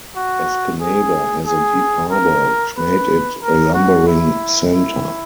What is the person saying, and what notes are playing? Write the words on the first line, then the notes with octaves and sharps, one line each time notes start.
Escanaba has a deep harbor, which made it a lumbering center.
F#4
G#4
G#4
A#4
B4
A#4
F#4
E4
E4